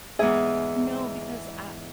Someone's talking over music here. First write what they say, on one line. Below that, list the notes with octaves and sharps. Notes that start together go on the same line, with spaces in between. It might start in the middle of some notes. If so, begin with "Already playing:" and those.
No, because I
E2 G#2 G#4 E5